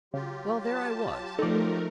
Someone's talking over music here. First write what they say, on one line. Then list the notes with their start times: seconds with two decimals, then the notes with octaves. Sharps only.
Well, there I was.
0.14 C#3 F#3 F4 G4
0.61 A5
1.39 F3 A3 D#4 A4 A#4 D5